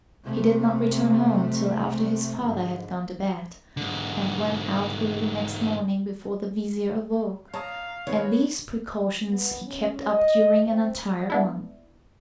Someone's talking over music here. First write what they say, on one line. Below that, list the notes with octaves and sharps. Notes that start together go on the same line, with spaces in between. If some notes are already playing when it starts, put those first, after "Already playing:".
He did not return home till after his father had gone to bed, and went out early next morning before the vizir awoke, and these precautions he kept up during an entire month.
C3 A3
G#2 D3
G#2 D3
C#5 F5 A5 A#5 D#6
D#3 B3 C#5
B3
C#4
D#5
C4
B3 D4 E4